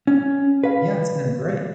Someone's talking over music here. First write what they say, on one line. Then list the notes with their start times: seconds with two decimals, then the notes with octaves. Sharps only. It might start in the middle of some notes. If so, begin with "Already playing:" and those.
Yeah. It's been great.
0.07 C#4
0.64 B4 F5